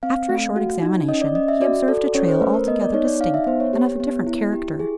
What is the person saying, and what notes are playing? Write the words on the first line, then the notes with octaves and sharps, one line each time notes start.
After a short examination, he observed a trail altogether distinct, and of a different character.
C4 F5
A3
F#4
D#4
C#4 D#5
D5
C#4 D#5
E5
F#4 D5
A4 D5
C#4 C#5
C5
A3 B4
A#4
B3 D#5
D5
D#4 C#5
D5
D#4 F5
E5
B3 C5
C#5
G4
B3
E4
G4
G#4